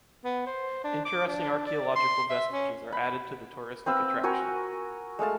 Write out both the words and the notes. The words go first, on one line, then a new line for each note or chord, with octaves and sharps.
Interesting archeological vestiges are added to the touristic attraction.
B3
C5
D4
D6
D4
D5
C6
E5
C#4
B5
C4 B4 F5 E6
F#4 A#4 G#5 C#6
G#3 A3 F5 A5